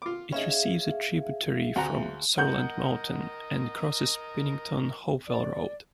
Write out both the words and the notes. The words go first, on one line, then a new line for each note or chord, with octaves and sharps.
It receives a tributary from Sourland Mountain, and crosses Pennington-Hopewell Road.
F4 D6
C#4 D#4 G#4 E5 F5
D2 F#5 A#5
A#4 D#5 F#5 G6
D5